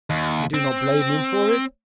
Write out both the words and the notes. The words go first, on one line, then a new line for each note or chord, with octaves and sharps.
'I do not blame him for it.
D#2
C4